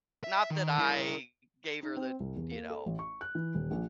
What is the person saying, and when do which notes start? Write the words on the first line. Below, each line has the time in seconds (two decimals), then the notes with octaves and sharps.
not that I gave her the, you know,
0.24 E5
0.50 D#3
0.79 E4 A#4
1.83 D#4
1.97 C4
2.20 C2
2.36 E2
2.51 A#3
2.70 A4
2.86 A1
2.99 C#6
3.21 F#6
3.35 E3
3.54 D#1
3.71 A#1